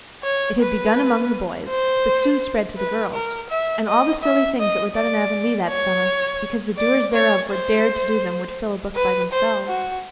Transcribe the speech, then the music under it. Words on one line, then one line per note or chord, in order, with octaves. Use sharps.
It had begun among the boys, but soon spread to the girls, and all the silly things that were done in Avonlea that summer because the doers thereof were "dared" to do them would fill a book by themselves.
C#5
B4
C5
B4
A#4
E5
D#5
E5
D#5
D5
C#5
D5
C#5
C5
B4
C5
F#4